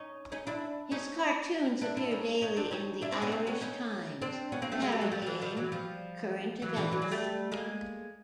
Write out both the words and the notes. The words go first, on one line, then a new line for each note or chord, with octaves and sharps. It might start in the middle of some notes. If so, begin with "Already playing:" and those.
His cartoons appear daily in "The Irish Times" parodying current events.
Already playing: C#4 D#4
C#4 D#4
D4 E4
C#4 D#4
D4 E4
D4 E4
C#4 D#4
C#4 D#4
C4 D4
C#4 D#4
D4 E4
C4 D4
B3 C#4
A#3 C4
B3 C#4
C#4 D#4
C4 D4
B3 C#4
A#3 C4
A3 B3
G#3 A#3
G3 A3
F#3 G#3
F3 G3
F3
D3 E3
D#3 F3
E3 F#3
F3 G3
E3 F#3
D3 E3
E3 F#3
F#3 G#3
G3 A3
G#3 A#3